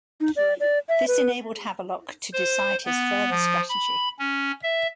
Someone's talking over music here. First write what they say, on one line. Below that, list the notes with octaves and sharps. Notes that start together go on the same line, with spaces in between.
This enabled Havelock to decide his further strategy.
D#4
D5
D5
E5
B4
C5
B3
F3
B5
C#4
E5